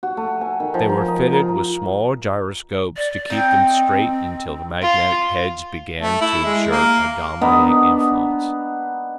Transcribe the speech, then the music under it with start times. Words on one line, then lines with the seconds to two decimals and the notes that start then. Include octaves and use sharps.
They were fitted with small gyroscopes to keep them straight until the magnetic-heads began to exert a dominating influence.
0.03 F#4
0.17 A3
0.41 G#5
0.60 D#3
0.74 F3
0.89 A#4
1.08 D#5
1.33 A#4
2.97 D5
3.30 C4 D#4 G5
4.83 F4
6.02 A3
6.21 E4
6.45 G#3
6.71 A#3
7.41 B3 D4 D#4